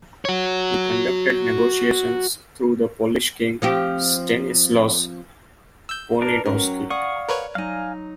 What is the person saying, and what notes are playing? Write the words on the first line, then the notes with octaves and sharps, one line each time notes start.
He conducted negotiations through the Polish king Stanislaus Poniatowski.
F#4 C#5
F3 C4 G4
E6 G6
D4 A#4 B4
F#3 C#4 A#4
D5 F5 F#5 C#6 D#6
A#4 B4 C#5
F#3 D#4 F5 G#5